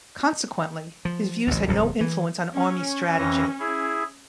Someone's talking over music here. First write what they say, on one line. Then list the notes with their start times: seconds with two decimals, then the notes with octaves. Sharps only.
Consequently, his views had no influence on army strategy.
1.05 F3
1.47 A1 D2
1.68 D1 C2 F3
2.01 E3
2.57 C#4
3.18 F2 E3 A#6
3.60 E4 G#4